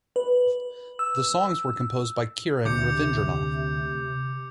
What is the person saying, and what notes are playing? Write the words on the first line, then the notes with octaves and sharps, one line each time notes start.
The songs were composed by Kiran Ravindranath.
B4
E6
D2 C3 D6 G6 C#7